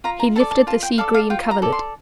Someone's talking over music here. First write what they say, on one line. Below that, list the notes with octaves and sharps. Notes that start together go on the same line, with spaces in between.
He lifted the sea-green coverlet.
F4 A#5
A#5
A4 D5 A5
A5
F4 A5
G5
A4 D5 F5
F5
F4 G5
A#5
A4 D5
C6